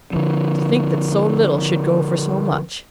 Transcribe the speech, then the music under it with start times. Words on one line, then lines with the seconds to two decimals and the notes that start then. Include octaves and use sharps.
'To think that so little should go for so much!
0.13 D3 F3